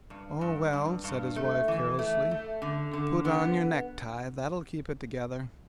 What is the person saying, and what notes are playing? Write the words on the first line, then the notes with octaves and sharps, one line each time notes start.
"Oh, well," said his wife, carelessly, "put on your necktie--that'll keep it together."
G2
G2
G2
G2
A3
E3
A3
A3
D3
D3
B3